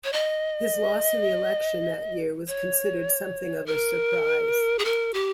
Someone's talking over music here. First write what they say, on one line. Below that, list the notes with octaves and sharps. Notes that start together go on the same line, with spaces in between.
His loss in the election that year was considered something of a surprise.
C#5
D#5
C#5
A#4
G#4
A#4
G4